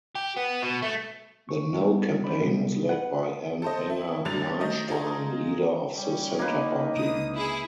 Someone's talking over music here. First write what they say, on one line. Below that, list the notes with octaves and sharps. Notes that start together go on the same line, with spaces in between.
The "No" campaign was led by Anne Enger Lahnstein, leader of the Centre Party.
G4
B3
B2
A3
C#6
G3 B3
E3 C#4 C5 D5 B5
C3 F#3 G3 B3
B4 F#5
A4 C5 D#5
E4
C2 F#2 D3 A6 F7
D#3 F#3 A3 D#5
D#4 F4 G#4 A#5
G3 C#4
A#3 D#4 B4
C#2 D3 D#6
E4 G#4